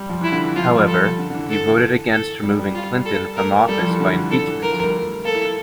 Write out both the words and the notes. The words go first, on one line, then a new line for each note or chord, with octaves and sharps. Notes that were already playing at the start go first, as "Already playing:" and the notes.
However, he voted against removing Clinton from office by impeachment.
Already playing: G3
F3
E3 E4
D3
E3
F3 F4
G3
F3
A4
D3
D3
E3
A4
A4
G3
G3
F4
A4
A3 A#4
G3 A4
F3
E3
D3
E3
D3 A4
E3
E3 A#4
F3
G3
A3
A#3 A4
E4
E4